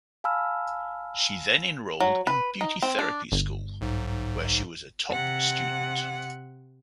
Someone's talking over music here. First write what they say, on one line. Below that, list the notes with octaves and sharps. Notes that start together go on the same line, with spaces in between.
She then enrolled in beauty therapy school, where she was a top student.
F5 G#5 A5 B5 E6 F6
F#3
B4
D#4
C4
D4
G1
B1 G#2
C3 F#5